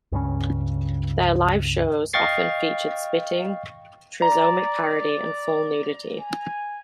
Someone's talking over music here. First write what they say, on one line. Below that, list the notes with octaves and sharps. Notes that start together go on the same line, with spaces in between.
Their live shows often featured spitting, trisomic parody, and full nudity.
C#2 G2 C#3 C#4
D#5 F5 G5 C#6 A6 C7
D5 A#5
G#5